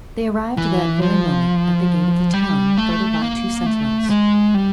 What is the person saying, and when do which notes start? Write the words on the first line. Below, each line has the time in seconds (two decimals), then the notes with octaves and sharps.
They arrived that very moment at the gate of the town, guarded by two sentinels.
0.57 E3
1.02 F3
2.33 G3
2.78 A3
3.22 A#3
3.66 A3
4.10 G#3
4.54 G3